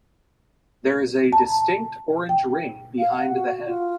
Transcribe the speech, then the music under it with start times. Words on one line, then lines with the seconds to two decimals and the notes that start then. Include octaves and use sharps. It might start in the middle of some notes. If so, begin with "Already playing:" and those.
There is a distinct orange ring behind the head.
1.33 A5 A#5
2.29 G5
2.98 F5
3.10 F#5
3.35 F#4
3.66 F4